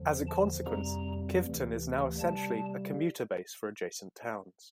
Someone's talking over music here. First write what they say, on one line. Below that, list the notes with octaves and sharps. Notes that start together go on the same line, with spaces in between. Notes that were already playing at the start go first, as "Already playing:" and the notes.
As a consequence, Kiveton is now essentially a commuter base for adjacent towns.
Already playing: E2 D3 F3
A5
F2 C3 G3 A#3 A#5
D2 C3 E3 A#3
C3 G3 A#3 A5